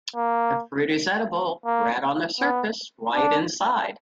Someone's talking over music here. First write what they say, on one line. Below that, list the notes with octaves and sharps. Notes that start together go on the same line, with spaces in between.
The fruit is edible, red on the surface, white inside.
A#3
A#3
B3
D4